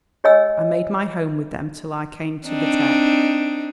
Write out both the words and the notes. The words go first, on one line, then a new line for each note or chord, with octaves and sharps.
I made my home with them till I came to the Tech.
G4 C#5 D#5 G#5 E6
C4 D4 D#4